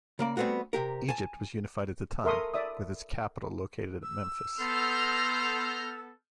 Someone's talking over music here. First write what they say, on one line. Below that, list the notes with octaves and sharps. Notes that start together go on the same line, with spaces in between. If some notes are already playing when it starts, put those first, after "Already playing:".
Egypt was unified at the time, with its capital located at Memphis.
C#3 A#3 D5
G3 A3 B3 C4 F#4
C3 G4 A#4
G#5 A5
A4 A#4 E5 C6 C#6 D#6
D5 E5 D#6
E6
B3 A4 C6 F6 G6 A#6